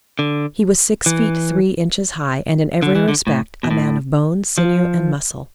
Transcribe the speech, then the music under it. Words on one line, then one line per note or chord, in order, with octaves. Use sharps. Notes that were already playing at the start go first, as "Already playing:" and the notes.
He was six feet three inches high, and in every respect, a man of bone, sinew and muscle.
D3
E3
D3
E3
D3
A2
B2
A2
F3